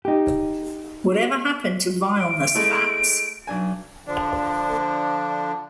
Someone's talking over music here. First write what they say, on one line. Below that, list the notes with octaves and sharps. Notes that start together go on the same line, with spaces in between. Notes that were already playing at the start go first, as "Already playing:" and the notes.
Whatever Happened to Vileness Fats?
D#4 G4
D7
G#3 A3 E4
B1 D4 G#5
D3 F3 D4